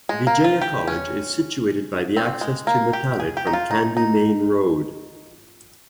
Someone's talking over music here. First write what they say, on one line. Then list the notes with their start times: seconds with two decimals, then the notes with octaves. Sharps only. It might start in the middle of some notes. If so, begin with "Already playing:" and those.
Vijaya College is situated by the access to Matale from Kandy Main Road.
0.09 G#3
0.27 A#3
0.44 F4
0.62 G4
0.87 C#4
2.17 C4
2.41 G#3
2.67 A#3
2.93 G4
3.20 G#4
3.37 G4
3.47 D#4
3.53 F4
3.71 D#4
3.97 D#4